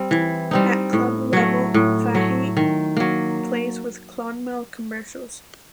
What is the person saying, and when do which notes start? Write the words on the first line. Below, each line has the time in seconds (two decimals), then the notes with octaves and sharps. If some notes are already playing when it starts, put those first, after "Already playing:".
At club level Fahey plays with Clonmel Commercials.
Already playing: G3 C4
0.11 E3
0.51 G3 C4 D#4
0.93 A2
1.33 F#3 A3
1.74 A2
2.15 F#3 A3
2.57 D#3
2.97 F#3 A#3